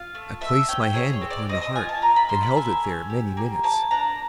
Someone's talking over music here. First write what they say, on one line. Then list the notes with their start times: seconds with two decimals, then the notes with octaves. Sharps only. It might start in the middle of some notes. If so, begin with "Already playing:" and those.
I placed my hand upon the heart and held it there many minutes.
Already playing: F4 F5
0.15 A3
0.41 A3 E5
0.68 C#4 G5
0.94 G#4 C#5
1.13 C#5
1.22 C4
1.30 D5
1.49 C4 D#5
1.62 D#5
1.75 F4 G#5
1.89 A5
2.02 F4 A#5
2.16 B5
2.29 A#3 C6
2.43 B5
2.56 A4 G#5
2.84 C#4
3.10 G4
3.37 A#3
3.63 A#3 A5
3.91 D4 A#5